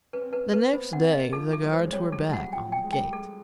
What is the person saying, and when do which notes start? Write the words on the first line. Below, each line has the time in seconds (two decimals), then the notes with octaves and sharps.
The next day the guards were back on the gate.
0.13 C#4 B4
0.21 C4
0.31 C#4 B4
0.43 C4
0.53 B4
0.73 B3 C5
0.92 C4 F#5
1.13 A#3 D#5
1.33 F3 A4
1.48 E3
1.53 A4
1.63 F#3
1.73 C5
1.79 G#3
1.85 F#3
1.92 G3 C#5
2.12 F#3 A4
2.33 G3 F#5
2.53 F3 G5
2.68 F#3 G5
2.83 G#3
2.93 G5
2.98 G3
3.13 G#3 A4